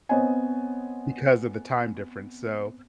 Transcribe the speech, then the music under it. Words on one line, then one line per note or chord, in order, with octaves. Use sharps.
because of the time difference, so,
B3 C4 C5 C#5 D#5 G#5